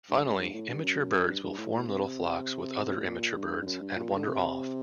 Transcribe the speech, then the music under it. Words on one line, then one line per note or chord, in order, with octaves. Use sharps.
Finally, immature birds will form little flocks with other immature birds and wander off.
G2
F#2
G2
A2
G2
F#2
G2
G2
A2
C3
A2
A#2
G2
G2
F#2
G2
A#2
D3
C3